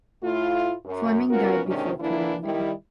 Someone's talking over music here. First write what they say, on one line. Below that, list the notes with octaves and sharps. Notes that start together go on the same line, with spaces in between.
Fleming, died before polling day.
A2 A3 E4 F4
F#2
B3 C#4 F4 F#4 A#4
E2 G#2 C3 D#3 C#4 D4
D3 E3 A#3 D4 E4
D#3 G3 E4